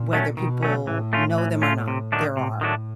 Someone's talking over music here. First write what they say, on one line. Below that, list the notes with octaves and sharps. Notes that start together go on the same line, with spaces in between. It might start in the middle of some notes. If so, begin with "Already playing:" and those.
whether people know them or not, there are,
Already playing: A#2
F#3 A3 C#4
B2 D#3
F#3 A3 C#4
A2 E3
A3 C#4 F4
E3
A3 C#4 F4
C3
D#3 F#3 A3 D4
A2 C3
D#3 F#3 A3 D4